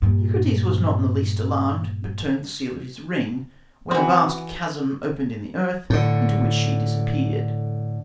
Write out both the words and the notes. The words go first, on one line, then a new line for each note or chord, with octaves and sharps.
Eucrates was not in the least alarmed, but turned the seal of his ring, when a vast chasm opened in the earth, into which she disappeared.
G2 A#2
E3 C4 F#4
A2 D3